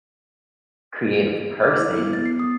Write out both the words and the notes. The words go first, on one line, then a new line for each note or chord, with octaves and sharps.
creative person,
D6
E4
B3
A6
C7
D#6